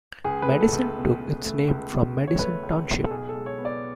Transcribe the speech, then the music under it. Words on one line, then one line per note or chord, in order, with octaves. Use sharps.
Madison took its name from Madison Township.
C#2 G#4
B4
A3
A4
C#2
B2
C#2
A3
C#2
B2
C#2
C#5
A3 B4
C#2
B2
A4
B1 G#4
A4
G#3
C#5
B3
D5